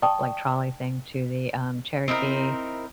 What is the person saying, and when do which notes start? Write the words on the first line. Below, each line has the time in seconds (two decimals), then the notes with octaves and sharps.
like, trolley thing to the, um, Cherokee,
0.02 D5 G5 A5 C#6 D#6
2.08 C4 D#4 E4 A#4